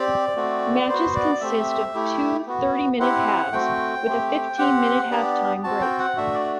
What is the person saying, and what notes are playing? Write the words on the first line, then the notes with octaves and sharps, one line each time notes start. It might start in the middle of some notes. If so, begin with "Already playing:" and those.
Matches consist of two thirty-minute halves, with a fifteen-minute half-time break.
Already playing: C4 G4 D5
A3 C4 F#4
B3 F#4 C5
D5
A3 C4 G4 E5
A3 E4 G4
B3 F#4
C4 E4 G4 F#5
A3 C4 F#4 G5
A3 C4 G4
C4 G4 F#5
B3 D4 G4 D5
C4 F#4 A5
G5
F#5
A3 D4 F#4 E5
D5